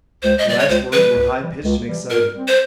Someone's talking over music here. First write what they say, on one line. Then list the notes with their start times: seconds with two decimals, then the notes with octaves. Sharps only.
The last words were high-pitched and excited.
0.23 C#2 C5
0.38 D#5
0.46 C3 E3 G3 D5
0.59 C#5
0.69 C#2 C5
0.92 C3 E3 G3 B4
1.16 C#2
1.39 C3 E3 G3
1.63 C#2
1.87 C3 E3 G3
2.10 A#2 A#4
2.33 G3 C4
2.48 C5